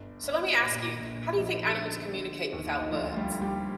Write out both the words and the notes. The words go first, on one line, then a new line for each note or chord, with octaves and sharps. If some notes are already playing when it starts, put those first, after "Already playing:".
So, let me ask you, how do you think animals communicate without words?
Already playing: G1 D4
G1
A#2
A#1
F3 D#4
D3
D3
D#2
D#4
D2 F3 F4
F4
G3 G4
D2
G3 G4